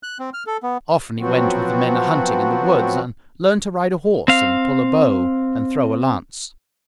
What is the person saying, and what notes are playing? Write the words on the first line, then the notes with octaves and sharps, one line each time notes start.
Often he went with the men a-hunting in the woods and learned to ride a horse and pull a bow and throw a lance.
F#6
C4
F6
A4
B3
F3 F#3 B3 C4 F#4
C4 F5